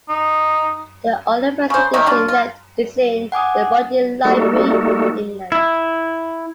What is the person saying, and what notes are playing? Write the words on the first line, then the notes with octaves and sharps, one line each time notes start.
The only first edition left is in the Bodleian Library in England.
D#4
C#3 C5
D#3 A3 A#3 C4
F#3 D4 F4
F4
F#5 G#5 D6 D#6
G3 A3 A#3 D#4 F#4 A4
E4